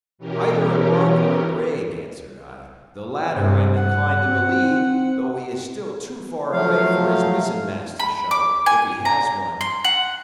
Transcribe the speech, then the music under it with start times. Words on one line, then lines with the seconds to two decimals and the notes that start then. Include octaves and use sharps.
"Either a barque or a brig," answered I; "the latter I am inclined to believe, though he is still too far away for his mizzen-mast to show, if he has one."
0.18 B2 E3 C#4 G4 A#4
3.35 G2 C3
3.76 F#5
4.25 C4
6.53 F3 F#3 A3 F5
7.99 B5
8.31 D6
8.66 G#5
9.05 A#5
9.61 C6
9.84 F#5